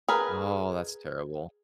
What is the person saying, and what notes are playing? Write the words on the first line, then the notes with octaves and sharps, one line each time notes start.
Oh, that's terrible.
G#4 A#4 B4